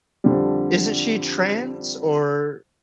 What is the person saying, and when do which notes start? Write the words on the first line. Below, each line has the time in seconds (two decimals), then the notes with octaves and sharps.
isn't she trans or
0.24 F2 D3 G3